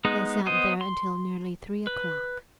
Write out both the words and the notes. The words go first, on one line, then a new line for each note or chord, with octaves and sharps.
They sat there until nearly three o'clock.
G#3 B3 D#4
B3 C5 D#5
C6
B4